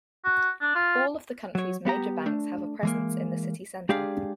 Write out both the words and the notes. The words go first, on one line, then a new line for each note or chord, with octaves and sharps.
All of the country's major banks have a presence in the city centre.
F#4
D4
F4
F#3 C#5
G3 B3 G4 A#5
A3 D4
E3 G#3 A#3
G#3 D4 G4 G#4 D5 F5